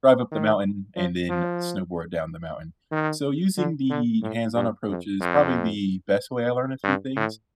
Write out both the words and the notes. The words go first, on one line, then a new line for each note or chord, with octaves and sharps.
drive up the mountain, and then snowboard down the mountain. So, using the hands-on approach is probably the best way I learn a few things,
D#3
F3
F3
D#3
D3
D3
A2
G2
F2
F2
G2
A2